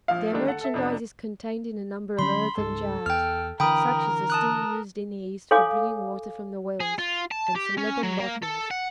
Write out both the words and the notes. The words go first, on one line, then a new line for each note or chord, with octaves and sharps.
Their merchandise is contained in a number of earthen jars, such as are still used in the East for bringing water from the wells, and some leathern bottles.
A#1 F3 F5
D3 D#3 G3 A3 D4
A4 F#5
A4 E5
F2 C3 D4
D3 F#3 C#4 B5 C6
C#2 G#2 G#3 A4
E2 G5 F6
D3 E3 A#4 G5 B5 D#6
A5 D#6 F#6
A4 C#5 F5 G#5 D6
G#4
F4
A5
G4
C#4
F#3
A#3
A4
F#5